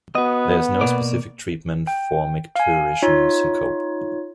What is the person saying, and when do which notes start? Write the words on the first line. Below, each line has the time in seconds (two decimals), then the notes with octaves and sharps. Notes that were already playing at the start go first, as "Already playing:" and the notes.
There is no specific treatment for micturition syncope.
0.15 B3 F#4 D#5
0.81 B2 A#3 D5
1.87 G5
2.56 F5 G#5
3.03 D#4 F4 C#5